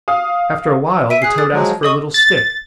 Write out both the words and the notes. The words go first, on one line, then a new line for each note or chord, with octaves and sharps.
After a while the toad asked for a little stick.
F5 D#6
E5 B6 D7 D#7
G#4 F#6 C7
D#6 F#6 A6
F3 F#3 G#3
A4 D#5 C#6 D#6
A6